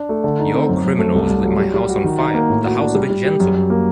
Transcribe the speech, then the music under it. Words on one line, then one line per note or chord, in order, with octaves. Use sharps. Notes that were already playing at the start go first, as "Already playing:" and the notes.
Your criminals lit my house on fire, the house of a gentleman.
Already playing: D4
A3
D3
D#4
C4
F#2
F#2
A3
C2
C2
F#3
G3
G3
F#4
D#3
D#4
A#3
A2
F#4
D4
G3
G3
G4
F#2
F#2
A#3